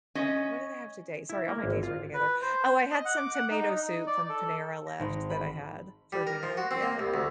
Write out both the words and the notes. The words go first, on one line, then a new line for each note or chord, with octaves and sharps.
what did I have today? Sorry, all my days run together oh, I had some tomato soup from Panera left that I had for dinner. Yeah.
C#4 D#5
E4
A#3
G#1
F4
B4
C5
D#5
F#5
D6
F#5
D#4
D#4
D5
A4
A#6
G#1
B5
G3
A#4
F3
F#4
C4
A#3
C2
D2